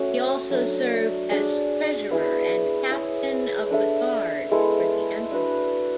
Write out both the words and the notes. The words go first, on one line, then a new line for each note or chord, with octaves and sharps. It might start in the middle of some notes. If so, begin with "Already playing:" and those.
He also served as Treasurer and Captain of the Guard for the Emperor.
Already playing: A3 C#4 F#4
F#3 A3 D4
D4 G#4 D5
B3 E4 G#4
E4 G#4 C#5
D4 A4 E5
G#3 B3 E4 A4
D4 F#4 B4